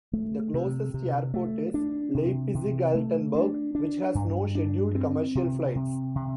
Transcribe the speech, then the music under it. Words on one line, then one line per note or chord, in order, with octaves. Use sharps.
The closest airport is Leipzig-Altenburg, which has no scheduled commercial flights.
A3
C3
C3
A3
D4
C3
C3
A3
D4
D4
G2
D4
C4
C3
C3
C3